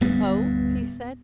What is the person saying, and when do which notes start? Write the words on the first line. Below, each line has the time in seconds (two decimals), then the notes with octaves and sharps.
"Oh!" he said.
0.01 D1 G2 G3 B3